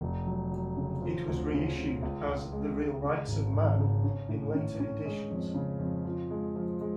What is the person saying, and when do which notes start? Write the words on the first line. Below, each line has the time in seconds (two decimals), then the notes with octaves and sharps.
It was re-issued as "The Real Rights of Man" in later editions.
0.01 F1
0.26 F#3
0.52 F#3
0.77 C#3
1.02 F3
1.28 D2
1.53 C#3
1.78 C#3
2.02 C#2
2.28 C#2
2.53 G#3
2.79 G#3
3.04 C#3
3.28 G#1
3.54 G#1
3.79 C#3
4.04 C#4
4.29 A2
4.54 C#4
4.80 C#4
5.05 G#3
5.30 F2
5.54 C#3
5.79 F2
6.05 F3
6.31 G#3
6.56 F3
6.81 G#3